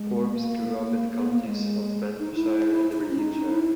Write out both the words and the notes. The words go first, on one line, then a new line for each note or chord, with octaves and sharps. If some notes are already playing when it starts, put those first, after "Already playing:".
Forbes grew up in the counties of Banffshire and Aberdeenshire.
Already playing: G#3
A#3
A#3
A#3
B3
A#3
G#3
D#4
E4
E4
D#4
C#4
D#4
E4